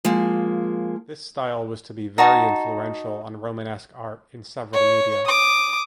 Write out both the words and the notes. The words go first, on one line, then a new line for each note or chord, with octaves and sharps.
This style was to be very influential on Romanesque art in several media.
F3 G#3 A#3
D#4 F#4 A5
C#5
D6 D#6